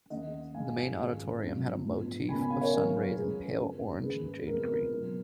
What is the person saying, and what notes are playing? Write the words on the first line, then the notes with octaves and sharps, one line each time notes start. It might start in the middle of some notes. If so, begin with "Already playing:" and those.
The main auditorium had a motif of sunrays in pale orange and jade green.
D#2 D#3 A#3 C#4 D#5 F#5
G#2 F3 G#3 F5 G#5
G#1 F#2 D#3 G#3
F2 C#3 F#3
A#1 G#2 F3 B3
C#2 B2 A#3 C#4 G#5 B5
G#5 B5
F5 G#5
A#4 C#5
G#1 G#2 F#3 B3 A#4 C#5
F#2 F3 G#3 G#4 B4
F#2 C#3 G#3 C#4
G#2 D#3 A#3 C#4 G#4 B4
F#1 F2 F3 G#3 B3 A#4
B4
A#4
B1 B2 F#3